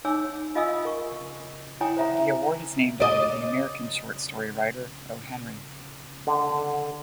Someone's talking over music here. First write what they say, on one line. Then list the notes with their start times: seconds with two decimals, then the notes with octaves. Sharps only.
The award is named after the American short story writer, O. Henry.
0.05 D#4 C#5 G#5 D6 E6
0.55 F4 D#5 F5 G#5 D#6 E6
0.85 A#4 C#6
1.81 E4 C#5 G5 G#5 A#5 D#6
1.97 C5 E5 A#5
3.00 D5 D#5
6.27 D3